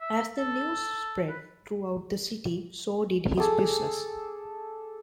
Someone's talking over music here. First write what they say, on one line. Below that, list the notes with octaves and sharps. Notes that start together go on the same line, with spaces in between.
As the news spread throughout the city, so did his business.
E5
A4
B4
G#4 A4 D6 D#6